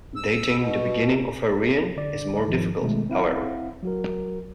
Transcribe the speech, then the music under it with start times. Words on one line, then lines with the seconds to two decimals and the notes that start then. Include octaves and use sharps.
Dating the beginning of her reign is more difficult, however.
0.16 E6
0.57 B2
1.96 D3 D5
2.46 G#2 D#3 F3
2.82 B2 D#3 G#3 A3
3.09 C4 E4 F5 F#5
3.83 F#3 F#4 A#4